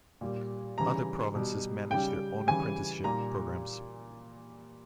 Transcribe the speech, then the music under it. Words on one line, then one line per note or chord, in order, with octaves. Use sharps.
Other provinces manage their own apprenticeship programs.
A#2 G3
C#3 E3 G3 A#5
B2 G3
C#3 G3 G5
C#3 E3 G3 G#5
A#2 G3 A#5